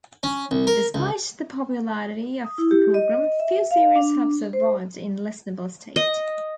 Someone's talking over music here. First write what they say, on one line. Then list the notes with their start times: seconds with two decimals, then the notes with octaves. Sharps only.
Despite the popularity of the program, few series have survived in a listenable state.
0.23 C#4
0.51 C2
0.67 A#4
0.94 C#2
2.45 D#6
2.58 E4
2.71 G4
2.94 D#5
3.40 E5
3.71 F5
3.96 D4
4.53 C5
5.96 D#5